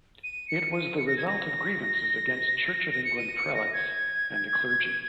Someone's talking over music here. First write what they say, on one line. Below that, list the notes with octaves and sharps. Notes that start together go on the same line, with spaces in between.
It was the result of grievances against Church of England prelates and the clergy.
D#7
C#7
D#7
C#7
A#6
G#6
A#6
A#6
C#7
D#7
C#7
A#6
G#6